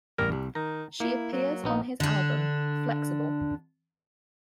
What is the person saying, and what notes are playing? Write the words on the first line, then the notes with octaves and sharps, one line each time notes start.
She appears on his album "Flex-Able".
A1 G3 A#4
C2 G3
D#3 A#5
A#3 E4
F#3
A#1 B3 D#4
D3 D4